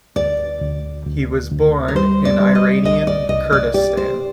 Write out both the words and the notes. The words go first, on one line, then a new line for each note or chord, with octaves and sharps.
He was born in Iranian Kurdistan.
D2 D5
D2
D2
D2
A#4
G3 C5
D5
G3
D#5
C2 D#5
D5
C2 D#5
D5
G4 D5
C5